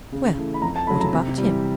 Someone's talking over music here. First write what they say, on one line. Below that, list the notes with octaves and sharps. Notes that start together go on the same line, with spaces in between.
"Well, what about him?"
C#3
E3 A3
B5
F2 A#5
A5
C#3 F#3 A3 B5
A#5
C3
E3 G3